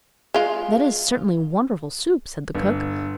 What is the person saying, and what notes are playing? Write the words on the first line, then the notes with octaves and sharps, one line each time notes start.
'That is certainly wonderful soup!' said the cook.
G#3 F4
G1